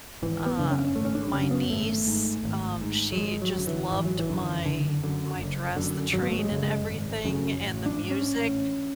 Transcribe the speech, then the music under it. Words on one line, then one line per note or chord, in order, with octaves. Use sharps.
uh, my niece, um, she just loved my my dress, the train and everything, and the music,
G#1 E3
B3
F#2 C#3 D4
C#4
G#1 A3
C#4
D4
F#2 C#3 C#4
B3
G#1 A3
G#2
G#1
G#2
F#3
G#1 G#3
F#3
F#2 D3
E3
G#1 E3
F#3
E3
F#2 D3
F#1 D3
F#2 D3
F#1
F#2 D3
G#1 F#3
B3
A3
G#3
F#2 C#3
G#3
G#1
F#2 C#3
A1
D4
G#2
C#4
A1